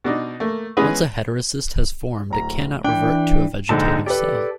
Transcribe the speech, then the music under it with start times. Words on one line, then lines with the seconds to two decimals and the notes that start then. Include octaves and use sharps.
Once a heterocyst has formed it cannot revert to a vegetative cell.
0.04 B2 D4 D#4
0.40 A3 A#3
0.77 E3 G#3 B3 C#4 G#4 B4
2.30 D1 A#5
2.84 E3 D4 G5
3.69 A#1 G#2 D3 D#4 G5 A5
4.06 G4 A4 B4 D5